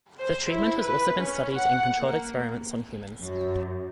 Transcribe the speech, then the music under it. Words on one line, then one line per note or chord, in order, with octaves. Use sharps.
The treatment has also been studied in controlled experiments on humans.
C5
E4
B4
C#4
F#5
A#3
F#2